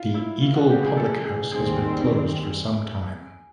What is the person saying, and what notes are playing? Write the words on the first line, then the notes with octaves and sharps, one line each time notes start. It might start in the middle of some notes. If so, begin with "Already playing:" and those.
The Eagle public house has been closed for some time.
Already playing: E4 F4
E4
C#3 E3 G#3 F4
F#4
G4
G#4
A4
G#4
D#2 D#3 G3 C4 G#4